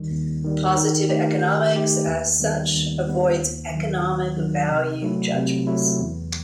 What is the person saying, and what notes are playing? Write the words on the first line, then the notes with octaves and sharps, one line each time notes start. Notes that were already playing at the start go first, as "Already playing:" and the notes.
Positive economics as such avoids economic value judgements.
Already playing: D#2 D#3 G3
D#2
D#3 G3
D#3
A3 D#4 G4
D#3
A3 D#4 G4
D#2
D#3 G3 B3
D#2
D#3 G3 B3
D#2
D#3 F#3
D#2
D#3 F#3
C3
F#3 A3 E4
C3
F#3 A3 E4
E2